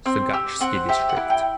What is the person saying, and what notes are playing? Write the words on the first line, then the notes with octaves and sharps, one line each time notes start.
Sergachsky District.
C4
G4 E6
C4 F#5
G4 E5
F#5
E4
G5